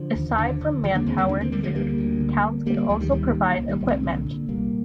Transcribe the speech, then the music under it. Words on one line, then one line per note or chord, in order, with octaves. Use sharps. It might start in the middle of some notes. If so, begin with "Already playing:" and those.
Aside from manpower and food, towns can also provide equipment.
Already playing: D3 F3
D#2
D3
D3
D#2 F3 G#3
A#3 D4
D#2 G#3 C4
G3 A#3
D3 A#3 D4
G#3 C4
D3 G3 A#3
F3 G#3
D2 G3 A#3
D2
D3
D3
D2 G3 A#3
G3 A#3
D2 F3 G#3
D#3 G3
A#2 D#3 G3
A#2
C2
D#3 G3
C2 D#3 G3
G#3 C4
A#2 D3
A#2
C2 G3 A#3